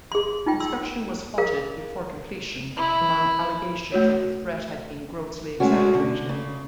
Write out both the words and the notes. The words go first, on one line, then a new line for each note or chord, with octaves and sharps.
Construction was halted before completion, among allegations that the threat had been grossly exaggerated.
G#4 C6
D#4 F4 G5
C6 E6
G#4 A#4 F5
E4
A3 F#4 C#5
G#3 A3 C#4 F#4
D3
C#3